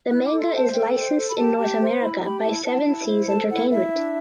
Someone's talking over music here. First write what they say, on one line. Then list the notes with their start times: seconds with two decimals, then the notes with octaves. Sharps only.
The manga is licensed in North America by Seven Seas Entertainment.
0.09 E4 F#6
0.26 A4 D6
0.42 C6
0.52 C5
0.57 A5
0.73 A4 G5
0.95 C5
1.16 A4
1.29 B5
1.37 G4 A5
1.58 G4
1.80 C5
2.01 E4 B5
2.22 G4 B5
2.44 E4 A5
2.65 E4 A5
2.87 E4
3.08 C5
3.29 A4 A5
3.50 E4 F#5
3.71 E4 E5
3.93 D4